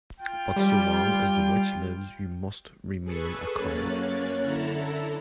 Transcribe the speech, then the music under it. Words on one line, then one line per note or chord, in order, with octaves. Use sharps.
But so long as the Witch lives you must remain a coward.
F4 G5
G3
G#4 A4 B4 C#6
F#2 A#3 C#4 C#5 F#6 A6
D3 E4 A4 A#5